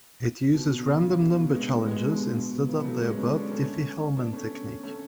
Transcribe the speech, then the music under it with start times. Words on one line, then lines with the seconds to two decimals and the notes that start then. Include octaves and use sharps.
It uses random number challenges instead of the above Diffie-Hellman technique.
0.54 B2
0.79 D3
0.87 C#3
1.03 C#3
1.20 B2 D3
1.47 C#4
1.53 G#3 B3
1.86 G#3 B3
2.03 B2 D3
2.20 B2
2.36 B2
2.68 C#3 E3
2.80 B3
2.84 F#3 A3
2.95 C#4
3.02 G#3 B3
3.17 A3 C#4
3.35 B3 D4
3.51 A3 C#4
4.17 B3 D4
4.33 A3 C#4
4.83 A3 C#4